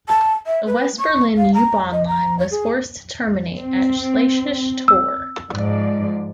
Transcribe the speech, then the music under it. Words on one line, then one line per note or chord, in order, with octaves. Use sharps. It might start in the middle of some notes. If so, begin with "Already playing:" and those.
The West Berlin U-Bahn line was forced to terminate at Schlesisches Tor.
A5
E5
B4
C#6
F5
A#5
D#5
A#5
C#5
G#4
C4
E6
G#2 F3 D5